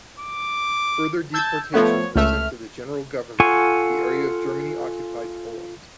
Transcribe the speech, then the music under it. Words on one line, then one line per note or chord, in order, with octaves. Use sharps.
Further deportations were sent to the General Government, the area of Germany-occupied Poland.
D6
A5 E6 G6 G#6
F3 A3 B3 C#5
C#2 A3 E5 F6
F4 A4 F#5 G#5 C#6